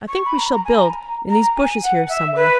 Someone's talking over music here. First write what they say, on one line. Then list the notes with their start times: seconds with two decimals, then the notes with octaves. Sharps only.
I think we shall build in these bushes here somewhere.
0.08 C#6
0.25 B5
0.38 A#5
0.52 A#5
0.65 G#5
0.74 B5
0.78 A#5
1.30 A#5
1.56 G#5
1.83 F#5
2.09 E5
2.36 B4